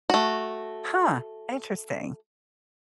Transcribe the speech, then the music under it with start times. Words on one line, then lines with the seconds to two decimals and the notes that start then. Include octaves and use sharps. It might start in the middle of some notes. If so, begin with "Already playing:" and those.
Huh. Interesting.
0.10 A3 F#4